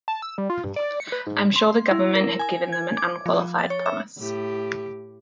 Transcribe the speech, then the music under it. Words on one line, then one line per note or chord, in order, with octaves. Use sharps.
I'm sure the government had given them an unqualified promise.
A5
E6
G3
F4
G2
D5
C#7
B4
G#2
C6
E4
A#4
G#5
G#6
D6
F3
A6
C#5
E5
A2 G4